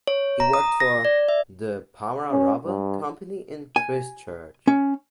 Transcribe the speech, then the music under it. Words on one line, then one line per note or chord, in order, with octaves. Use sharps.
He worked for the Para Rubber Company in Christchurch.
C#5
A#5
D#6
A#6
D5
E5
C#4
G2
G#5
C#4